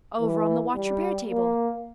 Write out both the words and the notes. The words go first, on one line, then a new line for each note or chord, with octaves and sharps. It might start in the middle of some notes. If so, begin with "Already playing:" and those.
"Over on the watch repair table."
E3
G3
A#3